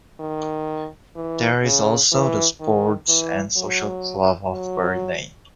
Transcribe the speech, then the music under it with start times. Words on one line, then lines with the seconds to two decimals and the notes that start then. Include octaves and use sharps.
There is also the Sports and Social Club off Bury Lane.
0.20 D#3
1.16 E3
1.64 C#3
2.12 E3
2.61 D#3
3.08 E3
3.56 F#3
4.51 F#3